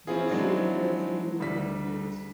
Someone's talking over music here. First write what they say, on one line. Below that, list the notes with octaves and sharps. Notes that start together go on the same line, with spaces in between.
They have thick and carefully repaired beards.
E3 C4 C#4 E4 F4 G#4
D#3 F#3 G#3 C4 D4 E4
D2 G3 D4 B6